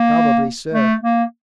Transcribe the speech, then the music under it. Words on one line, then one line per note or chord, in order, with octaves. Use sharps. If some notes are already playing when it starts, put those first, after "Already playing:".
Probably so.
Already playing: A#3
A3
A#3